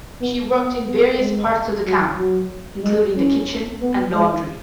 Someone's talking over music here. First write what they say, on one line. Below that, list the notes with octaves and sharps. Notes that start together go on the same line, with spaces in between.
She worked in various parts of the camp, including the kitchen and laundry.
B3
B3
B3
G#3
F#3
F#3
G#3
C#4
B3
G#3